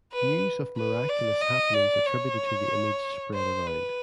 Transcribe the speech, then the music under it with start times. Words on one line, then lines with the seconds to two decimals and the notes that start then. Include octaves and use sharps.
News of miraculous happenings attributed to the image spread around.
0.13 B4
0.76 B4
1.09 D5
1.41 D#5
1.74 D5
2.06 C#5
3.34 C5
3.66 B4